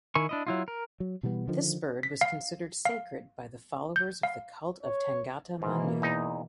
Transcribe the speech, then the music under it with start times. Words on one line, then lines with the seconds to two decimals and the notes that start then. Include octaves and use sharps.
This bird was considered sacred by the followers of the cult of Tangata manu.
0.15 D#3 E4 A#4 G#5 C#6
0.29 D4 E4 D#5
0.47 F#3 E4 F4
0.68 A#4
1.00 F#3
1.23 B2 E3 G3 B3
1.48 D3 D#3 F3
2.03 B6
2.21 F5
2.85 F5
3.96 G6
4.23 F5
4.83 C#5
5.62 G#2 B2 E3 A#3
6.02 E2 D#4